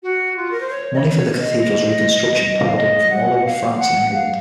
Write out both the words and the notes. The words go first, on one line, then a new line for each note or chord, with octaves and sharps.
Money for the cathedral's reconstruction poured in from all over France, and England.
F#4
F4
A#4
C5
C#5
D#5
C#5
D#5
F5
D#5
F#5
F5
F#5
F5